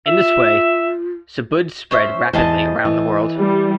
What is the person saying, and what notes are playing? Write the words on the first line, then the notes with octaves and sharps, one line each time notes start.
In this way, Subud spread rapidly around the world.
F4 E5
C#4 C5 E5
E2 C5 D#5 A5
E3
G3